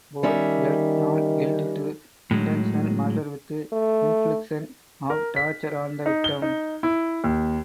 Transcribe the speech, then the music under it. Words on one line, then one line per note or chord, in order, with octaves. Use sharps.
Both pled not guilty to intentional murder with infliction of torture on the victim.
D#3 G3 C#4 E5
A2 F#3 G#3
A3
A#4
B6
D#4
G7
D#4
E4
D#2